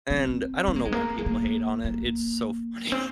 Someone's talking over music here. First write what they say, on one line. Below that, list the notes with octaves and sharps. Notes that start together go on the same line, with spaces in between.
and I don't know why people hate on it, it's so funny.
C4
C4
A#3
G#3
A#3
G#3
A#3
A#3
C4